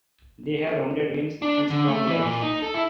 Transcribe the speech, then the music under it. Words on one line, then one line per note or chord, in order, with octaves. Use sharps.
They have rounded wings and strong legs.
D4
D3
A3
E3
A#2
D#4
A4
E4